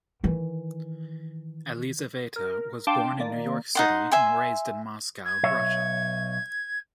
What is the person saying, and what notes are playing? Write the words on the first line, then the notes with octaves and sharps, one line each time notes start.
Elizaveta was born in New York City and raised in Moscow, Russia.
D#3 E3
A#4
D4 F5 G5 A5 C6 D6
D#3 A#3 D5
D#4 F#5 C6
E5 G#5 C6
G#6
B1 C#5 E5